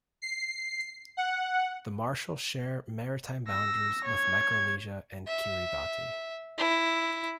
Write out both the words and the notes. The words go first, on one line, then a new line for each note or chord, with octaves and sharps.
The Marshalls share maritime boundaries with Micronesia and Kiribati.
C7
F#5
E6 A#6
C#5 G#6
E5
E4